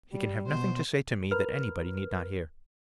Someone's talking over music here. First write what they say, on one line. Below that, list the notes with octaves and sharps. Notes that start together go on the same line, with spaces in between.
He can have nothing to say to me that anybody need not hear.
G3
B2 C5
A#4 B4 F6